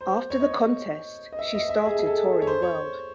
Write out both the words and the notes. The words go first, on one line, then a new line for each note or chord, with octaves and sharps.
After the contest, she started touring the world.
C5
C#5
D#5
C#5
D#5
E5
D#5
E5
G#4
G#4
A4
A4
C#5
C5
C#5